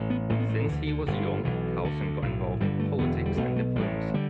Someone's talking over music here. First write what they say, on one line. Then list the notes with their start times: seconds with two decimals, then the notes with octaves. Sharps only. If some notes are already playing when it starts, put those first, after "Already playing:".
Since he was young, Carlsson got involved in politics and diplomacy.
Already playing: A1 A2
0.10 B3
0.29 A1 A2 A3
0.39 B3
0.49 A3
0.68 D2 D3 E3
0.87 D3
1.06 G1 G2 D3
1.45 B1 B2 E3
1.84 D2 D3
2.22 B1 A2
2.60 G1 G2 D3 G3
2.79 A3
2.99 E1 E2 D3 B3
3.25 G3
3.37 B1 B2 A3
3.56 A3
3.76 A1 A2 G3
4.14 D3 G3